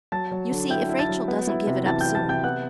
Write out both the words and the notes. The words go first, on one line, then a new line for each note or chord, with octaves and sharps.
You see if Rachel doesn't give it up soon.
F#3 A5 A6
F#3
D3
E4 G5 G6
E4
A5 A6
F#3
B3
E4
C3
E3 A5 A6
E4 G5 G6
A5 A6
C3 G5 G6
B3 F#5 F#6